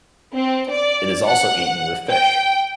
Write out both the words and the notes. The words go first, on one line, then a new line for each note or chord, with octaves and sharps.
It is also eaten with fish.
C4
D5
F#5
G5